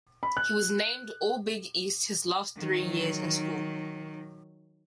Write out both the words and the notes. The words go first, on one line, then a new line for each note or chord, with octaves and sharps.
He was named All-Big East his last three years in school.
B5
F#6
D#3 F#3